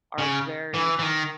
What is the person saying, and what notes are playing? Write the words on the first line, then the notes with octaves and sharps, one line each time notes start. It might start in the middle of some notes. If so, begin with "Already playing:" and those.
are very,
C#3
E3
E3
D#3